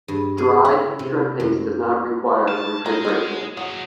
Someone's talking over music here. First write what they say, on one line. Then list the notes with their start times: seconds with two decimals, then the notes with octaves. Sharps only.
Dried shrimp paste does not require refrigeration.
0.08 G2
0.38 G#4
0.65 E4
0.99 C3
1.40 F#2
2.48 A5
2.86 G#4 D#5 A#5
3.05 F#3 G#3
3.57 F#3 F#4 G#4